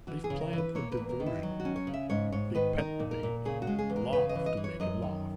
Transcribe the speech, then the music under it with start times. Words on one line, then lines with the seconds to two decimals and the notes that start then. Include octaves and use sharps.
They've planned a diversion: they pet the baby, laugh to make it laugh.
0.07 E3 F#4
0.24 G#4
0.30 C#3
0.41 A#4
0.53 E3
0.58 B4
0.75 A#3 C#5
0.92 B4
0.97 E2
1.09 A#4
1.20 D#3
1.26 E4
1.43 F#3
1.60 F#4
1.65 C#4
1.76 C#5
1.87 C#3
1.94 E5
2.10 G#2 C#5
2.32 G#2 C#5
2.55 D#3 B4
2.78 D#4 A#4
3.00 A#2
3.11 A#4
3.23 A#2
3.45 C#3 G#4
3.62 F#4
3.67 G#3
3.79 G#4
3.90 E2
3.96 A#4
4.13 C#3 B4
4.29 D#5
4.35 E3
4.46 D#5
4.57 E3
4.64 C#5
4.80 F#2 D#5
5.02 D#3